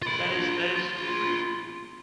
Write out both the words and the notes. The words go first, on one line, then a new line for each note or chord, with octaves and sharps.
That is that is pretty, you know
F4 B5